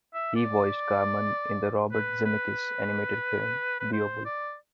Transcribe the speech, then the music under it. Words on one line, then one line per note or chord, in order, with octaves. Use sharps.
He voiced Garmund in the Robert Zemeckis animated film, "Beowulf".
E5
D5
B4
B4
B4
C5
D5